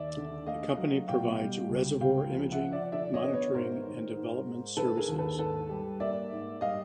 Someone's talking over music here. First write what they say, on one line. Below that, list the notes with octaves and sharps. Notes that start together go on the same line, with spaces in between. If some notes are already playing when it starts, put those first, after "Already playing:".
The company provides reservoir imaging, monitoring, and development services.
Already playing: D#2 D#3 D5 E5
D3
A3 D#5 F5
F#3
B2 F5 G5
G3
C#2
C#2 F5 G5
F3
E5 F#5
F3
D5 E5
D3 D5 E5
C#5 D#5
B3
B4 C#5
G#2 A#4 C5
D#3
G#2
G#2
D3 A4 B4
G#4 A#4
D#2
A4 B4
G#2 A4 B4
G3
A#3 D5 E5
G#2
G3 D#5 F5